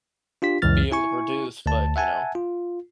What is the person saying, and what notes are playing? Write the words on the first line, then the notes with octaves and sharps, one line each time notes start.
be able to produce, but, you know,
D4 F4 G4 B6
C#2 F#2 E3 F6 A6
E4 G#5 C#6
D2 A5
E5 F#5 G#5 A5
F4